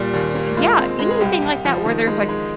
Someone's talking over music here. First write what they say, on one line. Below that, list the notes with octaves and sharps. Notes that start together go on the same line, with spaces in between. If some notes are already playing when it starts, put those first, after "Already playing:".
yeah, anything like that where there's like,
Already playing: A#2 G3
D#2
A#3
G#3 F4
C4
G#3
G#4
C2 G4
C2
F3
D#3
G#3
G#3